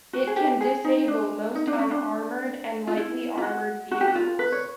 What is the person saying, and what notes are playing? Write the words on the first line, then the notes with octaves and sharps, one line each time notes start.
It can disable most unarmored and lightly armored vehicles.
F#4
G#4
G4
G#4
D#4
D4
D#4
D4
C#4
D4
F4
E4
F4
F#4
F#4
G4
F#4
F4
B4
C#5